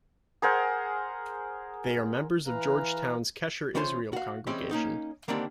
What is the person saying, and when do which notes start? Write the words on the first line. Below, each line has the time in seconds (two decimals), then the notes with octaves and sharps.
They are members of Georgetown's Kesher Israel Congregation.
0.42 G#4 A#4 C5 F#5
2.47 E3 B4 F5 A#5
3.75 E3 C#4 F4 C5 A5 C6
4.13 F#4 F5
4.47 E3 G3 G#3 C4 C#4 G4
4.71 A#3 C#4 D#4
5.28 D3 D#3 G3 A#3 C4 D4